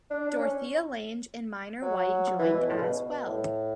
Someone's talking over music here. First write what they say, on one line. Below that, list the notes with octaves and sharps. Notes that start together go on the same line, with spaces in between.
Dorothea Lange and Minor White joined as well.
D4
D4
C#4
F#3
E3
B2
A2
C#3
B2
B2
A2